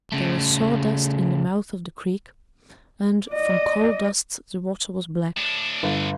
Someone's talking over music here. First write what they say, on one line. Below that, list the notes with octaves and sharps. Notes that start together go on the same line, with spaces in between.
There was sawdust in the mouth of the creek and, from coal-dust, the water was black.
C#3 A3
D5 D#5
A2 D4
G1